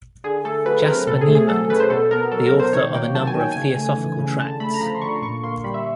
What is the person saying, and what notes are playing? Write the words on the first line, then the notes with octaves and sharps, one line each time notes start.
"Jasper Niemand", the author of a number of Theosophical tracts.
D3 G#4
A3 A4
F#3 B4
B4
C4 A#4
B2 A4
G#4
A3
G#4
F#3 A4
C#4 B4
C5
B2 A4
B3 A#4
F#3 A4
A#4
B2
C5
D#3 C#5
A#3 G5
F#3 A5
G#5
D#3 G5
C#3 G#5
A3
E3
C#3
D3 A5
A3 B5
A#5
F3 B5
C6
D3 C#6
A#2 C#6
A#3 C6
G3 B5
E5